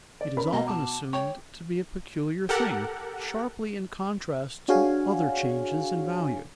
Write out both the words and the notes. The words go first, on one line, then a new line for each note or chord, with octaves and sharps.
It is often assumed to be a peculiar thing, sharply in contrast to other changes in value.
D5
C#4 A#4 B5
B2 D#5 A#5
A5 D6
C#5 G5 C#6
G4 A4 A#4 F#5
D4 F#4 G#4 C#5 F5 G#5